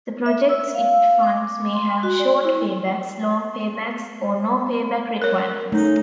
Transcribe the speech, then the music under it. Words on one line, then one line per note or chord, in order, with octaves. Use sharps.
The projects it funds may have short paybacks, long paybacks, or no payback requirements.
E5
E6
F5
D6
C6
F#4
D5
E4
A#4 C#5
A3 C#4 D#4